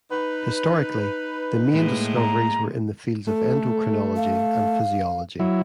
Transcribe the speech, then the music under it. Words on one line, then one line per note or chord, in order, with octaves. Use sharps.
Historically, the main discoveries were in the fields of endocrinology and physiology.
D#4 B4
A2 G#3 A#3
A#5
A3 A4
F5
F#3 E4